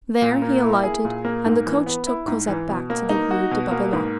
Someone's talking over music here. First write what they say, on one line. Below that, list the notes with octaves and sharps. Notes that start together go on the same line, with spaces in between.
There he alighted, and the coach took Cosette back to the Rue de Babylone.
A#2
A#3
E4
G#4
A#2
A#3
G#2
E3
B3
E4
G#2
E3
B2
A#3
D#4
F#4
B2
A#3
G#2